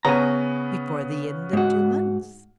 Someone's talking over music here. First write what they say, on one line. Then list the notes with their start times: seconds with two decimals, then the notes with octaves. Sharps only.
"Before the end of two months."
0.05 C#3 B3 C#4 G#5 A#5
1.53 G#2 F#4